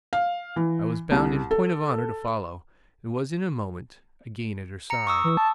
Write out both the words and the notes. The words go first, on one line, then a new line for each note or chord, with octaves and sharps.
I was bound in point of honour to follow, and was in a moment again at her side.
F5
E3
C2
A4
A#5 C#7
C#6 D#6 E6
E3
A5